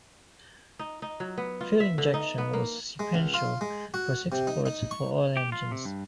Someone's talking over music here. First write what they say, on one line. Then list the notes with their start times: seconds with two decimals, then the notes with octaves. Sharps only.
Fuel injection was sequential for six ports for all engines.
0.79 D#4
1.02 D#4
1.20 F#3
1.37 B3
1.61 F4
1.80 E5
1.98 D3
2.14 D#4
2.38 B3
2.53 A#3
2.99 G#3
3.14 C#2
3.34 F4
3.61 G#3
3.94 F#4
4.32 C3
4.47 D#4
4.66 D#4
4.91 C#6
5.37 G4
5.52 F4
5.72 C3
5.85 G2